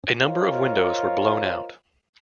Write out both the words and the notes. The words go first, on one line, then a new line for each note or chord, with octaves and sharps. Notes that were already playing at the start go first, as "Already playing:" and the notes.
A number of windows were blown out.
F4 A#4 C5 C#5 D#5 F5